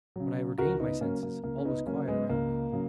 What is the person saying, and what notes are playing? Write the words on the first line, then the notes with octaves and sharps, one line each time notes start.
When I regained my senses, all was quiet around me.
C#3 F#3
C#2 F#4 A#4
B3 D#4
C#3 F#3 A#3 C#4
A#3
C#2 A#3
C#4
B3 D#4
C#3 F#3 A#3 C#4
G#3 B3
C#2 A#3
C#3 F#3